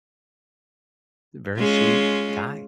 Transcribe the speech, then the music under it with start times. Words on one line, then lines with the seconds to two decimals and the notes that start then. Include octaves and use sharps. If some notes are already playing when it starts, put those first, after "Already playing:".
very sweet guy.
1.59 G#3 C#4 F4